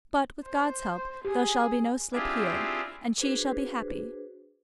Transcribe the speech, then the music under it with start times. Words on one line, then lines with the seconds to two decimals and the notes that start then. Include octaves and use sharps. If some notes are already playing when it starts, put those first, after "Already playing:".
But, with God's help, there shall be no slip here, and she shall be happy.
0.45 C5
1.25 G4 G#4
2.13 C4 D4 E4 F4 G4 G#4
3.20 D4 F#4 G#4 B4 C5